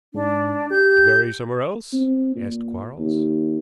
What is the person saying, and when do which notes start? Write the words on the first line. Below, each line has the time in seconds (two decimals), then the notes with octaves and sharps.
"To bury somewhere else?" asked Quarles.
0.14 G#2 D4
0.70 G4 G6
1.93 C4
2.36 A#2
2.99 D#2